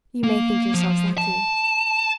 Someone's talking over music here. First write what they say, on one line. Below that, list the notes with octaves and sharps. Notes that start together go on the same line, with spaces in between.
'You may think yourselves lucky.'
A#3
F3
A5